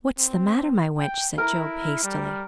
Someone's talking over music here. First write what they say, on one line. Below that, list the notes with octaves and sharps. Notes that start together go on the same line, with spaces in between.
"What's the matter, my wench?" said Job, hastily.
C4
G5
E4 A#4
G3